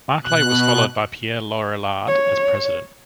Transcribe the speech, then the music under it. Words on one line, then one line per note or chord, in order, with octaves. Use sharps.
Maclay was followed by Pierre Lorillard as president.
B2 F#6
C#5